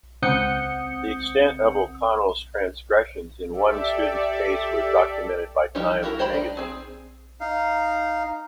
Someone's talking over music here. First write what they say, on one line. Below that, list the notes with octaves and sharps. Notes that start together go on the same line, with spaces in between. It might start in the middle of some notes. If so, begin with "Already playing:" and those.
The extent of O'Connell's transgressions in one student's case was documented by "Time" magazine.
C#2 C4 F#5 D#6 G6 C#7
G4 A4 D5 E5
E3 F3 G3 D#4 G4
E4 F#4 G4 A#4
G#3 G4 C5 G5 B5
D4 D#4
C4 G#4
D#4 F5